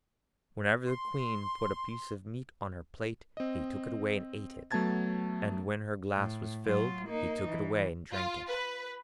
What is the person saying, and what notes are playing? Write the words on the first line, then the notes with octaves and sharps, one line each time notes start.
Whenever the Queen put a piece of meat on her plate, he took it away and ate it, and when her glass was filled he took it away and drank it.
C6
C4 D#5
F#3 A3 B3 A5 G#6 A6
A2
F#3 F4
A#3 D#4
E3
F4
B4